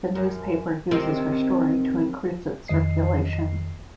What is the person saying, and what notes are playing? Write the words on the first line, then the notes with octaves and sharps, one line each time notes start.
The newspaper uses her story to increase its circulation.
F#2
C3 D#3 C4
F2 D#3 D#5 C7